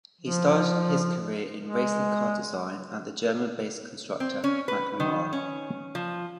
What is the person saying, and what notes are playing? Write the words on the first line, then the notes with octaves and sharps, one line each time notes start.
He started his career in racing car design at the German-based constructor McNamara.
F3
G#3
C4
C#4
B4
D#3
C#4
F3